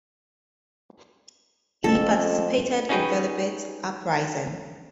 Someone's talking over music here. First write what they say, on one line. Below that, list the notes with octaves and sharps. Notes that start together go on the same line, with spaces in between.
He participated in Velebit uprising.
F2 A3 C4 C#4 A4
C#4 D#4 F#4 G#4 B4 G5